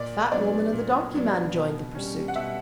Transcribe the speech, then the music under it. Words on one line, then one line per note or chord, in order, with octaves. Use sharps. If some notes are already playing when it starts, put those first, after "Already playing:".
The fat woman and the donkey man joined the pursuit.
Already playing: A#2 D5
F#3 B3 D4 D5
A#2
F#3 B3 D4
B2
G3 C#4
F#5
B2 E5